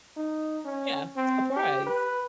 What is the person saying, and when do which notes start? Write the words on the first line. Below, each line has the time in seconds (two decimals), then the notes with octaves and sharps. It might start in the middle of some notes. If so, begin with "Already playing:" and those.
Yeah, surprise.
0.17 D#4
0.65 C#4
1.16 C4
1.56 G4
1.86 B4